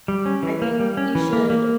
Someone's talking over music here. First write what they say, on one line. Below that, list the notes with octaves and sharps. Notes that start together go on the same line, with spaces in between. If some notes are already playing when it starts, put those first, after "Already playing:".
I think you should
G3
C#4
E3
A#3
G3
C#4
E3
A#3
A#3